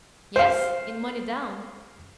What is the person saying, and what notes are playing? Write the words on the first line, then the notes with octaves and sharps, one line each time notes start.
"Yes--in money down."
C5 F5